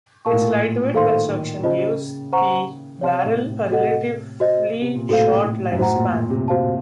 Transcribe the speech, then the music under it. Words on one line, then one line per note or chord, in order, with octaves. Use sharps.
Its lightweight construction gives the barrel a relatively short lifespan.
A#2 A#4 F5 A5 C#6
A2
A#2
D#3 A4 C5 F5 C6
D#3
C#3 F4 C5 D#5 A5
C5 F#5 A#5 C#6
C3 C#5 F5 A5 C6
A2
A2
C3 F#4 A4 D#5 F#5
F#4 C5 D#5
C3
A#2
A2 F#4 A4 C5 F5
A2
F#2
A2 F#4 C5 F#5 A#5
A#2
A#2
C3
F#4 C5 F5 A5